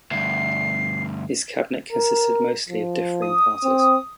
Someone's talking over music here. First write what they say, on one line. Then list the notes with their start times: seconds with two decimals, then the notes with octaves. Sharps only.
His cabinet consisted mostly of differing parties.
0.11 D2 G2 C7
1.92 A#4
2.69 F3
3.22 D#6
3.64 C4